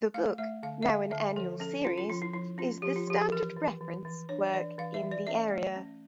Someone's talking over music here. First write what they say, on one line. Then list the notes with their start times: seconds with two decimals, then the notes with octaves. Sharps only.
The book, now an annual series, is the standard reference work in the area.
0.14 A3 F5
0.38 A3 E5
0.63 D3 F5
0.83 E5
0.87 D3 F5
1.11 D3 E5
1.36 F3 A4
1.60 C#4 A4
1.84 C#4 F4
1.98 F4
2.10 F3 F4
2.22 E4
2.33 F3 E4
2.58 C#4 F4
2.82 F3 G4
2.96 F4
3.07 F3 G4
3.32 E3 A#4
3.56 E3
3.81 E3
4.05 E3
4.29 D4 C#5
4.54 E3 D5
4.78 E3 F5
4.94 E5
5.03 E3
5.11 D5
5.27 C#4 E5
5.51 A3
5.76 C#4